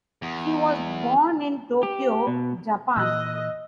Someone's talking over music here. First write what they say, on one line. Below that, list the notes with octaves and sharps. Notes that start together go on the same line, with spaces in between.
She was born in Tokyo, Japan.
E2
G4
B2
A#2 E3 D#5 E6 F#6